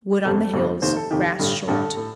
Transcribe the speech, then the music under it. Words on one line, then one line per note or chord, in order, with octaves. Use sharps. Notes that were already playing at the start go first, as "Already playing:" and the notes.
Wood on the hills; grass short.
G1 F2 C3 A4
G1 F2 C3
F1 D#2 D#3 C5
A4
F1 D#2 D#3 G4
A1 G2 D3
A1 G2 D3 A4
A2